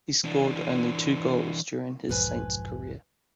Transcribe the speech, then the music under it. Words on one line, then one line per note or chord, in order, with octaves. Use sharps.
He scored only two goals during his Saints career.
E3 D4
F1 B1 G#2 F3 B4 G#5